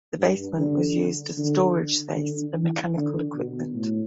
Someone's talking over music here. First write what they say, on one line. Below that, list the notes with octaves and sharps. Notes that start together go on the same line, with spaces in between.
The basement was used as storage space for mechanical equipment.
G2
D3
D3
D3
E3
D3
B2
A2